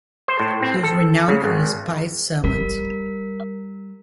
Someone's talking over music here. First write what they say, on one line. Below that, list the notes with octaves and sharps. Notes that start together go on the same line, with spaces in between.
He was renowned for his "spiced sermons".
C5
A2
C4
A4
C#3
G#1
G3 A#4 B6